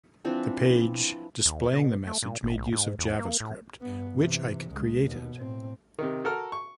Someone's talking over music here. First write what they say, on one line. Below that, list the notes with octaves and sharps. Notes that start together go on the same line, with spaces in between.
The page displaying the message made use of javascript, which Eich created.
E3 F3 C4 D4
D#2
B2
A3
A#2
G#1
B1
G#2
E2
A#3
A2
G2 B3
C3 E3
C#2 G#3
D#2 B2
A2 C4
C3 D#3
F#4 A4 A#4 F6
C#6